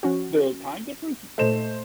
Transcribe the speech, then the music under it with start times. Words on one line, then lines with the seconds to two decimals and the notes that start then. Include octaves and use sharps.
The time difference?
0.03 F3 C#4 F#4
1.38 A#2 A3 C5 D#5 E7